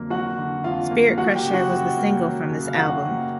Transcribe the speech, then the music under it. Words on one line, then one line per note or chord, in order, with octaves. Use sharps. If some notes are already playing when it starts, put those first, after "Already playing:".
"Spirit Crusher" was the single from this album.
Already playing: F2 D3 F#3 A#3
F#3 F#4 F#5
D3
F2 F4 F5
A#3
F#3 F#4 F#5
G4 G5
C#3
F#4 F#5
F#2
A#3
F#3
C#3
F5
F#2 F#4 F#5
A#3